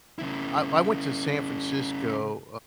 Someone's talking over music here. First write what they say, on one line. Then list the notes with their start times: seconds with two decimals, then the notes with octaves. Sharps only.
I I went to San Francisco,
0.19 C#3 E4